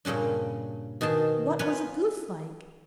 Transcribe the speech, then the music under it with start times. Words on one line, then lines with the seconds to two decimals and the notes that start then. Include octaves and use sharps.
'What was a goose like?'
0.05 G2 A#2 C#3 C#4 D4
1.01 B2 D#3 G#4 A5
1.59 C#4 F4 B4 C#5